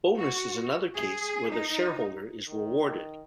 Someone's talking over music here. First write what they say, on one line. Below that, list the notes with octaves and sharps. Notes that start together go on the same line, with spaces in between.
Bonus is another case where the shareholder is rewarded.
F#4
G#4
D#4
D#3